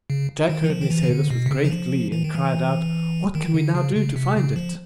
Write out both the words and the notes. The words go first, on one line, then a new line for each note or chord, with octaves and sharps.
Jack heard me say this with great glee, and cried out, "What can we now do to find it?"
C#3
D#3
E3
F3
D#3
E3
C#3
D3
B2
C3
C#3
E3
F3
E3
D#3
E3
D#3
D3
C#3
C#3
C3
C#3
F3